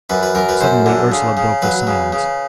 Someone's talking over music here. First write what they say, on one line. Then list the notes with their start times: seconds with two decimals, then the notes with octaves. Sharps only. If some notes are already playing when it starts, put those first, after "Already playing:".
Suddenly Ursela broke the silence.
0.10 F#2 B4
0.23 B4
0.35 F#2 A#4
0.49 B4
0.61 F#2 C5
0.86 D3
1.12 C#3
1.37 C#3
1.62 F#3 B4
1.87 C#3
2.13 C#3